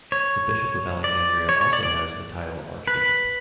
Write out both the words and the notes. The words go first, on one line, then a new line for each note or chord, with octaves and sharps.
The Bishop of Alexandria also has the title of archbishop.
C#5
D5
C#5
C#5
D5
D5
B4